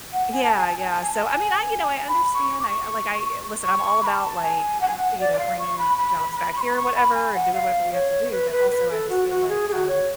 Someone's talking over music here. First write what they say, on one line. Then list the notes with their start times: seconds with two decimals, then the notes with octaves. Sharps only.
Yeah, yeah. So, I mean, I, you know I understand. I I, like I listen, I'm all about, like, you know, bringing jobs back here or whatever and doing whatever we have to do, but also, I just feel like, um,
0.13 F#5
0.32 G#5
0.43 A5
0.56 G#5
0.67 A5
0.78 G#5
0.90 A5
1.02 G#5
1.13 A5
1.25 G#5
2.08 B5
2.34 C#6
2.60 D6
2.64 C#6
3.64 C#6
4.03 B5
4.07 A5
4.42 G#5
4.81 F#5
4.88 G#5
4.96 F#5
5.20 D5
5.33 D5
5.39 F5
5.59 C#6
5.78 B5
5.98 B5
6.17 B5
6.36 B5
6.56 C#6
6.61 B5
6.76 C#6
6.95 B5
7.14 G#5
7.34 F#5
7.54 F5
7.93 C#5
8.31 B4
8.51 B4
8.71 B4
8.91 A4
9.09 F#4
9.29 F#4
9.48 G#4
9.68 G#4
9.72 F#4
9.88 C#5